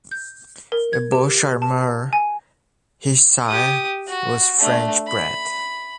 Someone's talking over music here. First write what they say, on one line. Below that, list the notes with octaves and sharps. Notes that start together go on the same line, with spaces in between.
Beau Charmeur, his sire, was French bred.
G6
A#4
G#6
G4
A5
G#5
G4 D#6
F#4
A3 D4
B5